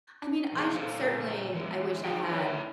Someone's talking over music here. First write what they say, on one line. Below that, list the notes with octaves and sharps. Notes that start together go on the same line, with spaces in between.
I mean, I sh certainly, I wish I had
B2 E3 G#4
A#2 A4 C5 F5
E3 G#3
F2 G3 D#4 G#4 A#4 G5
E4 B4 C#5 E5